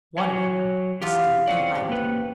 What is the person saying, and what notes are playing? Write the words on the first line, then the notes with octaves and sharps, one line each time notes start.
One hand was still behind him.
F#3 C#5 G#5
E2 F4 G4 F#5
C4 C#4 D5 F#5
G4
A#3 B4